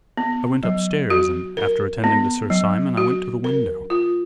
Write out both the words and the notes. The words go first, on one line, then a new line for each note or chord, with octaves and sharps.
I went upstairs, and after attending to Sir Simon, I went to the window.
B3
F#3
F#4
A#4
B3
F#3
F#4
A#4
F4